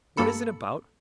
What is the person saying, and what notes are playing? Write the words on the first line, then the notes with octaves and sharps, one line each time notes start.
What is it about?
G2 A#3 A4 B5 C#7